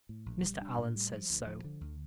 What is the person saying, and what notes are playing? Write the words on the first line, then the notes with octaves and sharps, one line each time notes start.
Mr. Allan says so.
A2
A#1
G3
D4
A2
G3
F3
D2
F3
D3
D2